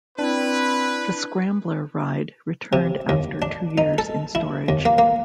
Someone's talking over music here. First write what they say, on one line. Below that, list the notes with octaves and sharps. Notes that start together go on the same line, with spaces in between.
The Scrambler ride returned after two years in storage.
C4 D4 E4 B4
C3
D#2
D4
D#4
A4
E4
D#2
A#3
A#3